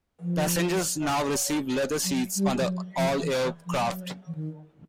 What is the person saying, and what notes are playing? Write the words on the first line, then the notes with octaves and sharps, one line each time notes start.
Passengers now receive leather seats on all aircraft.
F3
F#3
G3
F3
F#3
F3
E3
E3
F3
G3
F#3
E3
D#3